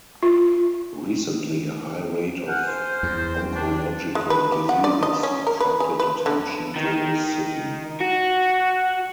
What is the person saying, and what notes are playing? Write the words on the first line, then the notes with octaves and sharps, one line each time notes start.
Recently, a high rate of oncological diseases attracted attention to this city.
F4
F#5 G#5 F6 G6
C5
E2
F#4 G5
D4
G#3
B4
G4
F#5
D5
D#5
C#4
A#4
B4
G#4
B4
D3
D#3
F#4